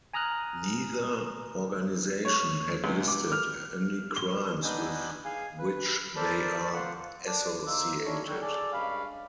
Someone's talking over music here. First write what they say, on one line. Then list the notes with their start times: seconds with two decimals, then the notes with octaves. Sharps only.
Neither organization had listed any crimes with which they are associated.
0.14 G#5 A#5 D#6 F6 F#6
2.25 C#5
2.84 C#2
3.08 D6
3.32 F6
4.16 G7
4.63 B3 D4 D#4 G#5 G6
5.25 G#4 F5 G#5
5.59 B4
6.16 A4 A#4 C5 D5 A5 B5
6.74 F4 F#5
7.26 D4
7.67 A#3 D#4 C5 D6 E6
8.06 C#4 D4 E4 A#4 C#5
8.27 D3 F#3 G3
8.41 G#4 A4 D5
8.73 G2 G#3 C#4 D4 F5 B5